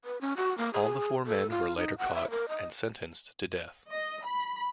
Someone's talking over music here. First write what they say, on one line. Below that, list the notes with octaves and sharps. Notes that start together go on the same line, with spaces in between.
All the four men were later caught and sentenced to death.
B4
C#4
F#4
A#3
G#4
A4
F4
D#4
F#5
E5
A#4
D#5
D#5
B5